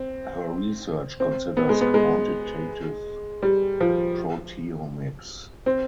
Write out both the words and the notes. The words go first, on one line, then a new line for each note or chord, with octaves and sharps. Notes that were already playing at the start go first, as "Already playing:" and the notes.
Her research considers quantitative proteomics.
Already playing: C4
C4
B3
G#3
B3
G#3
G3
F3
C4